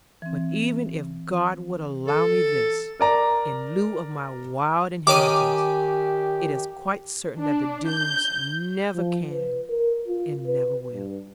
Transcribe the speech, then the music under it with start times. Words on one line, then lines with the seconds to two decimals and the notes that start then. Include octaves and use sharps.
But even if God would allow me this, in lieu of my wild inheritance, it is quite certain that the Doones never can and never will.'
0.22 E3 C4
2.07 A4
3.00 A#4 D5 A#5
5.07 D#3 C#4 G4 D6 D#7
7.38 D4
7.87 G6
8.95 F3
9.31 B4
9.70 A#4
10.07 F4
10.47 B4
10.93 G2